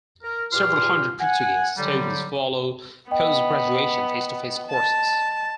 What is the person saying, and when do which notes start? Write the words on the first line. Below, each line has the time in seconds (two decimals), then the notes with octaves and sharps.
Several hundred Portuguese students follow post-graduation face-to-face courses.
0.23 A#4
0.53 E2 A#2 F4 G4 C6 F6
1.20 F#5 G#5
1.78 D3 F#3 G3
3.11 B3 D#5 G5
4.71 A5